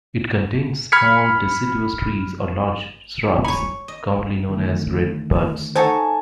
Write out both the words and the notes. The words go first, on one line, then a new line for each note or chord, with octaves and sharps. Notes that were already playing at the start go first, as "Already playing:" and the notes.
It contains small deciduous trees or large shrubs commonly known as redbuds.
B5 F6 G#6 B6 C#7
C#5 G#5 A#5 B5 C#7
D#5
D3 D#3 A3
D#4 A4 C5 C#5 F#5 G#5 A5